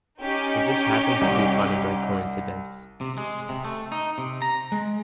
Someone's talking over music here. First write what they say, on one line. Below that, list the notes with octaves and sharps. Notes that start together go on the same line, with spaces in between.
It just happens to be funny by coincidence.
C#4 D#4 G4
C2
C3
G#3
C3
A3
D#4
C3
A#5
G#3